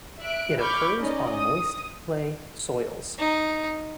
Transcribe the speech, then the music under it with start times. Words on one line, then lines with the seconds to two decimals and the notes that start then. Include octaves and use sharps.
It occurs on moist, clay soils.
0.21 E5 F#6 D7
0.60 B5 C#6 D6 F6 G6
0.97 C#4 D#4 D5 D#5
1.35 D#6
3.19 D#4